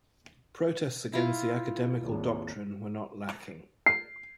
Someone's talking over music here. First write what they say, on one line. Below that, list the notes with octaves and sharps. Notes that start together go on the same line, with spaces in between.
Protests against the academical doctrine were not lacking.
E4 F4
G#1 D#2
C7